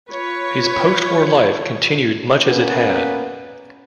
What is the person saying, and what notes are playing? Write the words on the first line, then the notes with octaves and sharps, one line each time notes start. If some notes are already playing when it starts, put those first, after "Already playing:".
His post-war life continued much as it had.
F4 B4 C#5
A#3 B3 C#4 B4